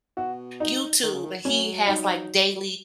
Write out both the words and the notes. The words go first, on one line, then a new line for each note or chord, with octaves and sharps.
YouTube and he has, like, m
B2 F#4
D#4
D#3
C#3
D#3
F#3 C#4
D#4